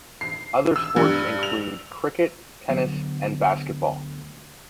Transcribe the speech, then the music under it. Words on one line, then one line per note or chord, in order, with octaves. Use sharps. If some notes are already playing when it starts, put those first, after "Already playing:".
Other sports include cricket, tennis and basketball.
C7
E6
G2
F7
D2 D3 F#3 B3